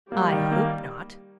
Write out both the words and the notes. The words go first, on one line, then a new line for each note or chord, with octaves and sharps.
"I hope not."
G3 A#3
D#3
A#3